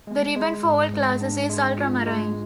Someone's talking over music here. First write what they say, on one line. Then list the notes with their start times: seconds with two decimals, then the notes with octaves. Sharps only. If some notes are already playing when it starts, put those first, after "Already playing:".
The ribbon for all classes is ultramarine.
0.07 G#3
0.36 G#3
0.64 G#2
0.93 G#2
1.21 D4
1.50 G#3
1.78 F4
2.07 G#3